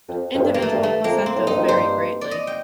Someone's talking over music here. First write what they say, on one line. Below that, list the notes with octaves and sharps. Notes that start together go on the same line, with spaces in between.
Individual placentas vary greatly.
F2
F2
G2
A#3
A3
G2
A3
F2 A#3
C4
A2
G2 D#4
F2
G2 C5
D5
D#5
G5